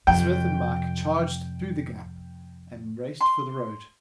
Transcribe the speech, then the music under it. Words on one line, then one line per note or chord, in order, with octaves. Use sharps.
Psmith and Mike charged through the gap, and raced for the road.
F2 C3 G5
C6